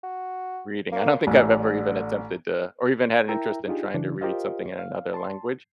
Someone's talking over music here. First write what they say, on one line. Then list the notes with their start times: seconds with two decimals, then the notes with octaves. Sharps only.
reading. I don't think I've ever even attempted to or even had an interest in trying to read something in another language.
0.03 F#4
0.92 A#3
1.27 A1 D3
3.29 E4 A#4 E5 G5 A#5
3.67 D4 D#4 F4 G4 G#4
3.94 C#3 E3 D4
4.21 F4 G4 A#4 C5 D#5 F5
4.79 F5
5.14 A5 C6